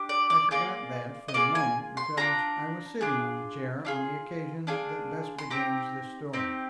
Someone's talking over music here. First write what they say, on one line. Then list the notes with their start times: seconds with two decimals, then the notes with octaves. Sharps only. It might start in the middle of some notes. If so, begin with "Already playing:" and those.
I forgot that for the moment because I was sitting on the chair on the occasion that best begins this story.
Already playing: D4 G4
0.09 D5
0.30 D5
0.51 A#3 F4 G#4 D5
1.28 D#5
1.34 A#3 F4 G#4 D5
1.55 G#5
1.97 C6
2.17 D4 F4 G#4 A#5
3.01 D4 F4 G#4
3.85 D4 F4 G#4
4.67 D4 F4 G#4 G#5
5.38 C6
5.50 C4 D#4 G4 A#5
6.33 C4 D#4 G4